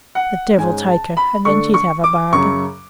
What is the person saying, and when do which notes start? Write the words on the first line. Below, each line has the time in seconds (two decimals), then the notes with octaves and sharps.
'The devil take her! and then he'd have a bargain.
0.15 F#5
0.58 G#2 G#3 C#4 G#5
0.88 A5
1.17 B5
1.45 D3 A3 D4 C#6
1.74 C#6
2.04 D6
2.32 F#2 C#3 F#3 C#6